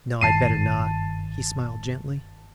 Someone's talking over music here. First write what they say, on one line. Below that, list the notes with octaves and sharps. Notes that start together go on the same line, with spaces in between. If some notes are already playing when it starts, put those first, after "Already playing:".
"No, I'd better not," he smiled gently.
F#1 G2 D#3 A5 C7 D#7